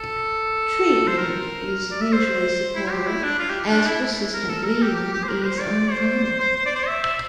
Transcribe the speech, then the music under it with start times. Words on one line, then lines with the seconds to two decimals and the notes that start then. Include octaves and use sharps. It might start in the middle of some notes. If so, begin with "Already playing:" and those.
Treatment is usually supportive as persistent bleeding is uncommon.
Already playing: A4
1.07 C5
1.18 A#4
1.91 D5
2.01 E5
2.12 C5
2.75 E4
2.91 G4
3.07 E4
3.23 D4
3.39 F4
3.49 G4
3.70 D4
3.86 E4
4.34 A#4
4.49 A4
4.65 A#4
4.82 G4
4.97 G4
5.13 G4
5.24 C5
5.28 A#4
5.45 C5
5.61 D5
5.92 C5
6.24 C5
6.40 C5
6.56 C5
6.66 D5
6.76 C5
6.87 E5
7.03 E5